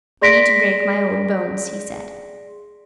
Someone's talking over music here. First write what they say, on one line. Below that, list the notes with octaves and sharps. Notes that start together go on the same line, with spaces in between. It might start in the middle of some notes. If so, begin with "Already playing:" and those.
"No need to break my old bones," he said.
G#4 D5 C6 A#6 B6 D7